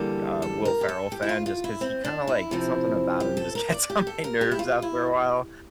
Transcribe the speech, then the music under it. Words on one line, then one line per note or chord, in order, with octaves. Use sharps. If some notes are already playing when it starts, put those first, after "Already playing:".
uh, Will Ferrell fan just 'cause he kinda like something about him just gets on my nerves after a while,
Already playing: E2 D3 G3 A#3 A4
A4
A#4
G4
A4
G4
E4
F4
F4
E4
C4
D4
E4
C3 F3 C4
G4
A4
A#4
D5
G4
A4
A#4
G4
E4
F4
E4